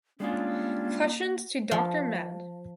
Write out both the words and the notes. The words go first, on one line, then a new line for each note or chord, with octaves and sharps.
Questions to Doctor med.
G3 G#3 A#3 C#4 D4 F4
F3